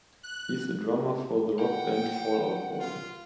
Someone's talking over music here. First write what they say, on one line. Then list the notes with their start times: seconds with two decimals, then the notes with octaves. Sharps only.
He is the drummer for the rock band Fall Out Boy.
0.23 F#6
1.59 F#5 G5
2.80 F4